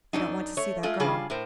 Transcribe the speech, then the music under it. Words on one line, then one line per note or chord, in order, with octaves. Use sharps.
I don't want to see that girl.
F#2 C3 D4 D#4
A3 C#5
G#3 A3 F4
C#3 G3 D4 F4 G#4
A2 A#4 C5